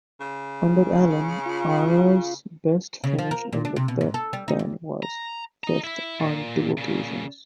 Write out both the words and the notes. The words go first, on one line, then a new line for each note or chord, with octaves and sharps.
Under Allen, Iowa's best finish in the Big Ten was fifth, on two occasions.
C#3
F4
C#3
F3
A#4
A#2
D4
C3
B2
G#2
A4
G3
D#4
E2
A#5
D#5 A#5
E4 E5
A#2
A#2 C#3